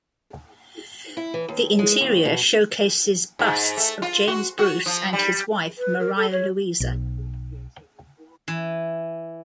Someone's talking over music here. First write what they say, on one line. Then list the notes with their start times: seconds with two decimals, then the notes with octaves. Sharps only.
The interior showcases busts of James Bruce and his wife, Maria Louisa.
1.17 E4
1.34 E3
1.48 D#2
1.79 G#3
2.01 D#2
2.25 B2
3.39 G#2
3.77 A3
4.02 F4
4.28 F#4
4.59 F#4
4.86 F3
5.13 G3
5.78 B4
6.00 A#4
6.16 A4
6.31 C#5
6.80 B1
8.48 E3